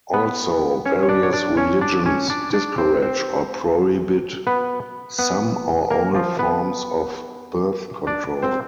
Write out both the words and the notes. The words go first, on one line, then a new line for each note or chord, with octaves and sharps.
Also, various religions discourage or prohibit some or all forms of birth control.
B3 B4
C#4 C#5
C#5
D4 D5
C#5
D4 D5
C#4 C#5
D4 D5
C#4 C#5
D4 D5
D4 D5
C4 C5
C4 C5
B3 B4
B3 B4
A#3 A#4
F3 F4
B3 B4
D4 D5
C4 C5